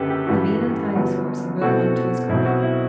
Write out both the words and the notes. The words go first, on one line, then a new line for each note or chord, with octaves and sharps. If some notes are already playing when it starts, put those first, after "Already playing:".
Levin untied his horse and rode home to his coffee.
Already playing: F#1 F#2 D3 G4 A4 B4
G4
A1 G2 E3 F#4
G1 G2 F#3 B3
B2 A3 C4 E4 F#4 A4
B1 B2 F#3 C4 E4
F#4
E4